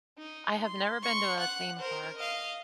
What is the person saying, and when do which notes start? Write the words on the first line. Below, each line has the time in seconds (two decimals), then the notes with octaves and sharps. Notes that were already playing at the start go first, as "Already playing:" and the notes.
I have never been to a theme park.
0.18 D#4
0.61 C6
1.03 C6 C#6
1.38 F#5 F#6
1.80 A#4 C5
2.17 D#5 F5